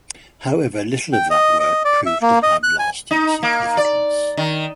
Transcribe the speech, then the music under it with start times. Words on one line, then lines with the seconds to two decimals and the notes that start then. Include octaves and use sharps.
However, little of that work proved to have lasting significance.
1.13 G5
1.30 D#5
1.59 D#5
1.85 D5
2.06 E5
2.22 A#3
2.43 D#5
2.63 F#6
2.79 G#5
3.11 D#4
3.43 A#3
3.77 D5
4.37 D#3